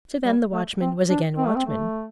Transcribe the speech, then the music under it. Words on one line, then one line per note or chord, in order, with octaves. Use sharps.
So then the watchman was again watchman.
G3
A3
C4
D4
C4
A3
C4
A3